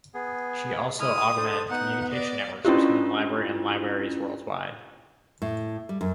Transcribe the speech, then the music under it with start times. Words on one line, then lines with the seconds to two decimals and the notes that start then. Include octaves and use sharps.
She also augmented communication networks between the library and libraries worldwide.
0.14 B3 G#4
1.00 G#3 E4 D#6 F6
1.37 D4 A4 C5
1.70 B3 D#4 F#5
2.11 D5 D#5
2.65 C#4 D4 E4 F4 G4
5.42 A2
5.89 G3
6.01 F#2